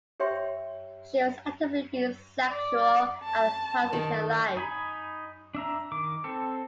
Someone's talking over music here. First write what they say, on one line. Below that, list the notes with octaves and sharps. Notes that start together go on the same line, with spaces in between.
She was actively bisexual at times in her life.
G4 C#5 E5 G5 C6
D5
A5
D#3
D#4 G#5 B5
D4 E5 A#5
D#3 D6
C4 A4